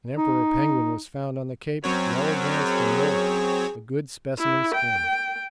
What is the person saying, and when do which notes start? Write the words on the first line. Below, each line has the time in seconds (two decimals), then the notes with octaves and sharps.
An Emperor penguin was found on the Cape well advanced in moult, a good specimen skin.
0.18 D#4
1.84 F#2 F#3 C4 C#5
2.60 G#4
4.38 E4
4.75 G5